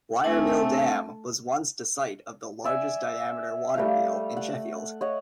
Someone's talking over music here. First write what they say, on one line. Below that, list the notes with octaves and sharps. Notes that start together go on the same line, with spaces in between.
Wiremill Dam was once the site of the largest diameter water-wheel in Sheffield.
A3 C4 D4 G#5 A5
D5 E5 G#5
G3 A3 F5
F#5
C#5 D#5 F#5